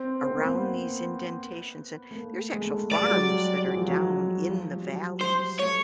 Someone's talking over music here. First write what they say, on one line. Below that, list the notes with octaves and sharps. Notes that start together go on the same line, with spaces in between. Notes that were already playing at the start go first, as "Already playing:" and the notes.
around these indentations, and there's actual farms that are down in the valleys,
Already playing: C4
C4
B3
A#3
B3
A3
A#3
G#3
A3
G#3
G#3 D5
G3
F#3
G3
F#3
F3
F#3
F3
G3
F#3
G3 C5
A3 C#5